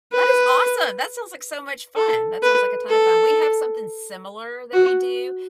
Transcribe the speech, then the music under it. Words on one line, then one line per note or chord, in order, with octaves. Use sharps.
That is awesome. That sounds like so much fun. That sounds like a ton of fun. We have something similar that we do.
B4
A4
B4
A4
F#4